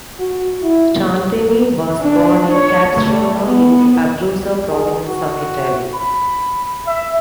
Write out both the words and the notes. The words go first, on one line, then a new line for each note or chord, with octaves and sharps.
Santini was born in Capestrano in the Abruzzo province of Italy.
F#4
E4
D4
C#5
A3
B3
G#4
F#4
B5
E5